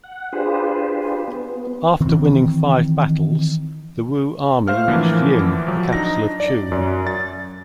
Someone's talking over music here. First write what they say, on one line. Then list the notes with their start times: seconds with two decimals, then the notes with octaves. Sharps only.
After winning five battles, the Wu army reached Ying, the capital of Chu.
0.04 F#5
0.33 D4 F4 G4 G#4 B4 C5
1.28 B3
2.00 D#3 E3 C4
4.68 A3 C5 F5 F6
4.88 A2 D3 E3 F3 A#3
5.67 F3 F#3
5.93 D4 D#4 A#6
6.40 D5
6.72 F#2
7.07 A6